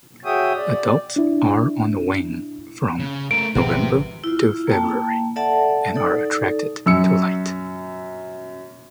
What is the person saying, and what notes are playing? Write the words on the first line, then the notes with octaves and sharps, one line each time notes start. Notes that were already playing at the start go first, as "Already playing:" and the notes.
Adults are on the wing from November to February and are attracted to light.
F#4 G#4 C#5 E5 G5 D#6
D5
D4 E4
C#3
A3 A#4 D7
G#1 B2 F3 C4 G4 B4
E4 F4
A#3 G5 A5
A4 D5 E5 F#5 A5
D#4 A4 D5
F#2 E6 C#7